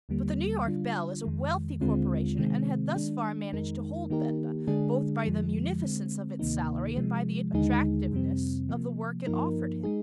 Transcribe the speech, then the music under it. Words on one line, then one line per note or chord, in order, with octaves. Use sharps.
But the New York Bell is a wealthy corporation and had thus far managed to hold Benda, both by the munificence of its salary and by the attractiveness of the work it offered him.
D#2 D3 G3 A#3
D3 G3 D4 F4
F2 D#3 G#3
D#2 D3 G#3 C4 F4
C3 D#3 G#3 C4
D#3 G#3 D4
F2 D#3 G#3 D#4 A#4
D#3 A#3 D#4 G4 A#4
D3 G#3 D4 G#4
F2 D3 F3 G#3
D3 G#3 C4
D2 C3 D#3 A#3 D#4
C3 F3 G#3
D#2 D3 G#3 D#4 G#4
F2 C3 G3 C4
C3 F3 A#3
G2 F3 A#3 D#4 A#4
G#3 D#4 G#4